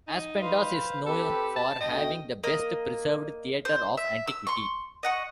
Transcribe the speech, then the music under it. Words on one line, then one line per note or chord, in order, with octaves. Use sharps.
Aspendos is known for having the best-preserved theatre of antiquity.
D#4
B4 C5 F5
C4 G4 A4 B4
A5
D2 B2 D#5 G5
A#3 D#5
C5
E5
E6
C6 C#6
D#5 F#5 C#6